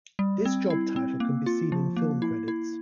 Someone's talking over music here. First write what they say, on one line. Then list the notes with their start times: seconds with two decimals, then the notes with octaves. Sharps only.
This job title can be seen in film credits.
0.19 G3
0.45 C4
0.70 E4
0.96 C4
1.20 A#3
1.46 F4
1.72 F3
1.96 A#3
2.22 E4
2.48 E4